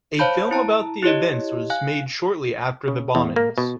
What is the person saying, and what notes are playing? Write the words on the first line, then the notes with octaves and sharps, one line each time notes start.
A film about the events was made shortly after the bombings.
C5 C#5 F5 A5 B5 G6
E4 A5 A#5
E4 G4 C#5 D#5
F5 G#5 F#6
C#3
E2
A#3
B2